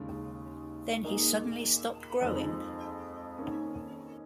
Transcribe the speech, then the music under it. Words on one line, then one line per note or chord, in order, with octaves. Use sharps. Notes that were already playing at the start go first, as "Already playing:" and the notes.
Then he suddenly stopped growing.
Already playing: D#2 C#3 G#3
A#2 A#3 D#4 G#4
F2 F3 G#3 D#4
D#3 A#3 C#4